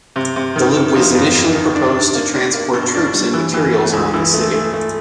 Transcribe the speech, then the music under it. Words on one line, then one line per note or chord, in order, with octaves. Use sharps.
The loop was initially proposed to transport troops and materials around the city.
C3
C3
D#3
C3
F2
F2
F2
D#3
D4
D4
A#3
D4
A#3
B2
D4
G3
E3
E3
A3
C#2
E3
A3
A3
A3